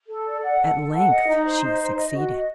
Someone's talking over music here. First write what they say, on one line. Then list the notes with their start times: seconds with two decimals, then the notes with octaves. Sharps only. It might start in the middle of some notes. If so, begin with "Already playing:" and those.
At length she succeeded.
0.09 A4
0.26 D5
0.42 F#5
0.60 A4
0.77 A4
0.94 F#5
1.10 D#5
1.28 D#4
1.45 C5
1.61 D#4
1.79 C5
1.96 D#5
2.12 F#4
2.29 D#5